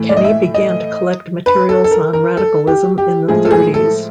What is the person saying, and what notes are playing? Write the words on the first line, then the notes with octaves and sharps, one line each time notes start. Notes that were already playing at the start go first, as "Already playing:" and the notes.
Kenny began to collect materials on radicalism in the thirties.
Already playing: A2 E3 A3
D5
D#5
E5
D#5
B4
A4
A4
A#4
A#4
A4
G4
G4
A2 F3 G#3 G#4
A4
G#4
A4